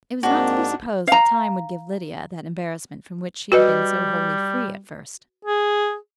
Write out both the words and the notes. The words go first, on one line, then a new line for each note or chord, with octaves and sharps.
It was not to be supposed that time would give Lydia that embarrassment from which she had been so wholly free at first.
G#2 A#3 C4 D4 F#4
F5 A#5
G3 F#4 B4 D#5
G#4